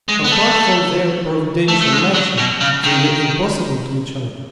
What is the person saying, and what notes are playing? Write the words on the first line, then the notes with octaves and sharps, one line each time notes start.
Apart from their providential matching, they were impossible to each other.
G#3
B3
A3
A3
A3
G#3
F#3
B2
C#3
D#3